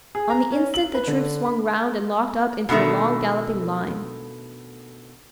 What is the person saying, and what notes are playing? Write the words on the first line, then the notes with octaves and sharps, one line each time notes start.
On the instant the troops swung round and locked up into a long, galloping line.
G#4
A#5
C#4
F#7
B4
D3
B5
B2 D3 D#3 A3 B3